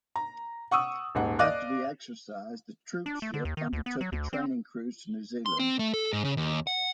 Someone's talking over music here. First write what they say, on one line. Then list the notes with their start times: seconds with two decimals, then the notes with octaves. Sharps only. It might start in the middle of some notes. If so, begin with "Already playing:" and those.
After the exercise, the troopship undertook a training cruise to New Zealand.
0.16 A#5
0.71 F#5 C#6 D#6 E6
1.15 D#1 G#2 F#5
1.39 D5 D#5 F5 D6 F#6
3.06 D4
3.22 A3
3.34 D3
3.45 D#2
3.57 D#3
3.73 D2
3.86 B3
4.01 F#3
4.12 D2
4.33 C4
5.46 C6
5.59 C4
5.79 A3
5.94 A4
6.13 G#2
6.24 C#3
6.37 D#2
6.67 F#5